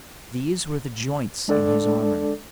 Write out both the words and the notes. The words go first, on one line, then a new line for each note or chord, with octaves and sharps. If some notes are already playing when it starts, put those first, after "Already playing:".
These were the joints in his armor.
G#3 D4 A4 D5